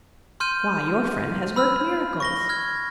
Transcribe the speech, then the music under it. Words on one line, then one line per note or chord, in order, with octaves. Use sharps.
"Why, your friend has worked miracles."
C6 F6 G6 D#7
B5 E6 F6
C#6 A#6 G7
F6 G#6